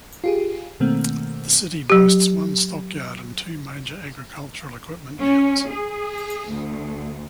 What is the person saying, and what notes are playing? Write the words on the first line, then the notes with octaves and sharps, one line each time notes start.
The city boasts one stockyard and two major agricultural equipment dealers.
F4 G4 G#4
B2 D#3 A3 A#3 C4
F#3 G4
C#4
G#4
D2